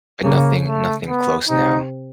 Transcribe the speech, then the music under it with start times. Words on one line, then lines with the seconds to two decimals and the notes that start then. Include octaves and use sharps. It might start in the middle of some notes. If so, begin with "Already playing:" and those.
But nothing nothing close now.
0.24 C#3 A#3
0.66 A3
1.08 B3
1.49 C3 D#4